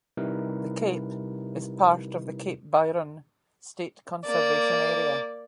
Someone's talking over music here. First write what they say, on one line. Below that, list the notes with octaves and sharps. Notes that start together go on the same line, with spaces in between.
The Cape is part of the Cape Byron State Conservation Area.
C3 G3 D#4 E4 A#4 B4
A#3 D5